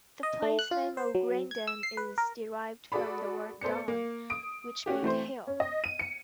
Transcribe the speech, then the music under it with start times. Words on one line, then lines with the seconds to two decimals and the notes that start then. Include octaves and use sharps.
The place name of "Grindon" is derived from the word 'dun', which meant hill.
0.23 D#5
0.42 A3
0.59 F#6
0.71 F4
0.97 C5
1.15 F#3
1.51 G#6
1.67 E6
1.83 C7
1.97 B4
2.18 A#4
2.92 F#4 G#4 A4 D5 B5
3.61 B3 A4 C5 D5 C#7
3.88 A#3
4.30 D#6 D7
4.86 C#4 F#4 G4
5.02 E3 A3 C4 C5
5.47 C#4
5.60 D#5
5.84 D#7
5.99 C#7